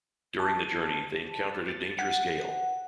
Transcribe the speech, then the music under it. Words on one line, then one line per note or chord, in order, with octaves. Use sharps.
During the journey, they encountered a dangerous gale.
A5
A6
F#5